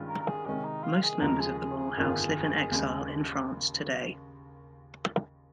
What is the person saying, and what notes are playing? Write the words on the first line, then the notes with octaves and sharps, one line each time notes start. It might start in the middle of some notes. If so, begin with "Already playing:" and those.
Most members of the royal house live in exile in France today.
Already playing: G2 D#3 G#3 C#4 F4
A#4
A#4
G#4
C3 D#3 G#3 C#4
D#4
F4
G#4
D#2 C#3 F3 G#3 A#4
G#4
G#4
G#4
G1 F2 D#3 A#3 F4
D#2 C#3 G#3